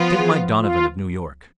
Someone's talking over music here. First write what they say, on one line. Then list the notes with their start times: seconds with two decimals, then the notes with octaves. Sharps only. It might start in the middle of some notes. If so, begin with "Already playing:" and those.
Take Mike Donovan, of New York.
Already playing: F3 B3 F4
0.17 G#4
0.60 F4